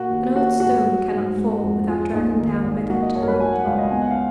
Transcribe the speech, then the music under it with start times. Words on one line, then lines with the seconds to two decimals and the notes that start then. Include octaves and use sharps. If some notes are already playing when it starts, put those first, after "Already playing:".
An old stone cannot fall without dragging down with it an old law.
Already playing: A#2 A#3 F#4
0.09 D#2
0.35 A#3 F#4
0.60 G#2 F#4
0.86 F#3
1.12 G#2
1.37 G#3
1.63 F2
1.88 G#3 F4
2.13 A#1 D#4
2.39 D#3
2.64 G#1
2.89 A#3 F#4
3.02 D#5
3.15 F#2 C#5
3.22 A#4
3.28 B4
3.40 F#3 G#5
3.53 F#5
3.66 C#2 F5
3.78 D#5
3.91 B3 G#5
4.01 F#5
4.11 F5